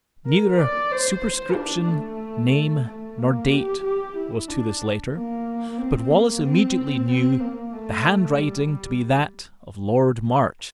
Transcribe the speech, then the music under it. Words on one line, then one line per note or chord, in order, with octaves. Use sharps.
Neither superscription, name, nor date, was to this letter; but Wallace immediately knew the handwriting to be that of Lord March.
A#4
D5
C5
C5
D4
A3
A3
A#3
G4
G4
E4
D4
A#3
C4
A#3
C4
C4
A#3
A3
G3